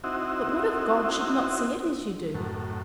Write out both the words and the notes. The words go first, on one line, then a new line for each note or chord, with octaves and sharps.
"But what if God should not see it as you do?"
C4 D#4 E4 F#4
F#2 A2